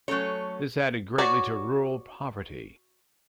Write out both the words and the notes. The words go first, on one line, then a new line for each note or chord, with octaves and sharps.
This added greatly to rural poverty.
F#3 A3 C#4 A4 C#5
F#4 C#5 D5